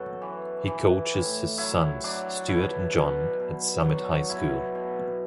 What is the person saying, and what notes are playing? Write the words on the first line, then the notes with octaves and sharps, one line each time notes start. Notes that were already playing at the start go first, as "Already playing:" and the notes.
He coaches his sons, Stuart and John, at Summit High School.
Already playing: F#2 B2 F#3 F#4 A4
E3
E3
A2
F#3 E4
F#3 D4
B2 E4
B2
B2
F#3
B2 E4
B2